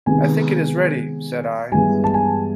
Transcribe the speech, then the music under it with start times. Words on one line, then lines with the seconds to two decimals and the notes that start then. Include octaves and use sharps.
"I think it is ready," said I.
0.06 C3 D#3 G#3 B3 G#5
1.72 G2 E3 G#3 B3 G#5
2.04 A5
2.14 G#5